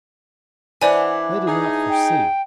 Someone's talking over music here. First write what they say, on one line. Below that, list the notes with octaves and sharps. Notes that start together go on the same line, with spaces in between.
They did not foresee....
E3 D4 C5 D5 F#5 G#5
D#4 G#4
G5